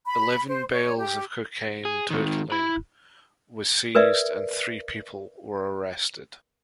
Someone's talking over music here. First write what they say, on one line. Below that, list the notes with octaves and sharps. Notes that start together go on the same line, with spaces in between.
Eleven bales of cocaine, totaling was seized and three people were arrested.
B5
C5
C#5
G4
G#4
G#2 D#3
E4 B5
A#4 B4 D5 E5